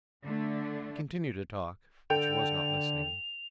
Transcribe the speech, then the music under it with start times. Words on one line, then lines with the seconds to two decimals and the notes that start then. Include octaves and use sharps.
He continued to talk, but she was not listening.
0.25 D3 A3 D4
2.10 D3 A4 G5 F7